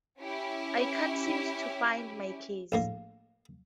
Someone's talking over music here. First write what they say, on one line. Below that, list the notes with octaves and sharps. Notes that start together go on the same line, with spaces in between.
I can't seem to find my keys.
C#4 E4 G4
A#1 A2 A#3